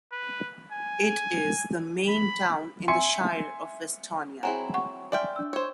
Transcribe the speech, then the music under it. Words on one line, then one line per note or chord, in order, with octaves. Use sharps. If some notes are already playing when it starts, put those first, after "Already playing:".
It is the main town in the Shire of Westonia.
B4
G#5
B5
E5 G#5 C6 C#7
F#3 C4 E4 G#4 F#5 G#5 A#5
F#5 C#6
D5 E5 G5 G#5 C6 F6
D4 E6
C5 C#5